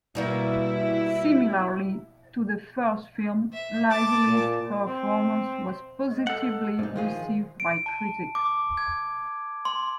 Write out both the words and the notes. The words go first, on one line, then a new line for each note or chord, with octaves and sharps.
Similarly to the first film, Lively's performance was positively received by critics.
B2 G3 A#3 E4
E5
A5 D6
A#2
C4
G#3
A4 F#5
B1 G#2 D4 D#4
D#3 F3 F4 G#4
D7
A5
D6
G#6
C6